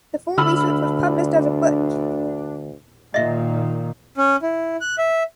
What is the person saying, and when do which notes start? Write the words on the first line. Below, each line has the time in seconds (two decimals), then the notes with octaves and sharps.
The full research was published as a book.
0.38 D2 D3 D4 B5 E6 F6
3.14 A#2 D#3 D#5 E5
4.18 C#4
4.43 E4
4.81 F#6
4.98 E5